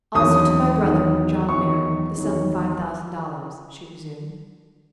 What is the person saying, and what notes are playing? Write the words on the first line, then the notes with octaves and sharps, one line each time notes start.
"Also to my brother, John Merrick, the sum of five thousand dollars," she resumed.
E2 D#3 F#3 D#6
E2 D#3 F#3
E2 D#3 F#3 C#6
E2 D#3 F#3